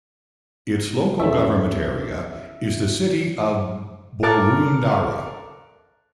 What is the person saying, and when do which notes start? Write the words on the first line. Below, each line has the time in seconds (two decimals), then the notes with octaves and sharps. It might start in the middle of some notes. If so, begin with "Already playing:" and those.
Its local government area is the City of Boroondara.
1.20 E2 F3 C#4 A4 C#5 E5
4.23 A4 A#4 A5 D6 F#6 A6